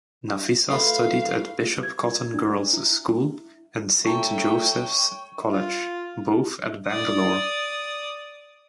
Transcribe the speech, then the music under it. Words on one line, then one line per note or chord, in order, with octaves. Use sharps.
Nafisa studied at Bishop Cotton Girls' School and Saint Joseph's College, both at Bangalore.
A3 F4 B4 F5
G#6
D4
E4
A3 A4 C#5 G5 A5 A#5 C#6
F4
D5 D#6